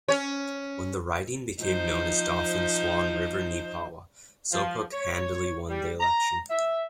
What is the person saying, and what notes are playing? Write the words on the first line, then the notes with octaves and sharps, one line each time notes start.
When the riding became known as Dauphin-Swan River-Neepawa, Sopuck handily won the election.
C#4 C#5
F3 D#4 C5
F3
C#5
G3
A#5
E5